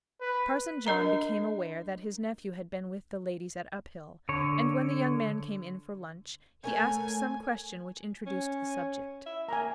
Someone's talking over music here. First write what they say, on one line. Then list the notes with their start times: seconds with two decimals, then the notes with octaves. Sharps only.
Parson John became aware that his nephew had been with the ladies at Uphill, and when the young man came in for lunch, he asked some question which introduced the subject.
0.21 B4
0.87 D4 A#4 D#5 A#5
4.29 D3 C#5
6.64 A3 A#4 C#5 G#5
8.26 C#4
9.26 E5
9.49 A#3 G#5 A#5